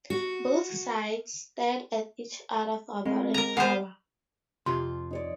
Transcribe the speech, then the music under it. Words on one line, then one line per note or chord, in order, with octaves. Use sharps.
Both sides stared at each other for about an hour.
F#4
G#3 C4
A#4 A#5
B3 C5 F5 F#5 B5
F2 C3 F4 C6
D#4 C#5 D5